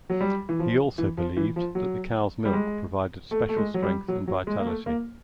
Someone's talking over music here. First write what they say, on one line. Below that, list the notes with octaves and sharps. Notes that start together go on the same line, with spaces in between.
He also believed that the cow's milk provided special strength and vitality.
F#3
G3
E3
F3
E3
F3
E3
F3
F#3
G3
G#3
A3
A3
G#3
F#3
G3
F#3
F#3
G#3
A#3
A3
A#3